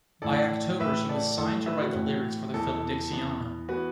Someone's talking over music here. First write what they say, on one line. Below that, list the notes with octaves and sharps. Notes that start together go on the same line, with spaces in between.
By October she was signed to write the lyrics for the film "Dixiana".
A2 E3 A3 A4 D5
A2 E3 A3 B4 E5
A4 D5
A2 E3 A3 A4
B4 E5
F#4
A2 E3 A3
E2 E3 B3 A4
E2 E3 B3
E3 B3 F#4 B4